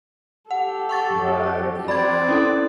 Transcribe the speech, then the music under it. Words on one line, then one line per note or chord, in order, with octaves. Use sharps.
Right, yeah.
G4 A4 F#5
F#5 C#6 A6
C4 D5 B5 G#6
C#4 E4 A4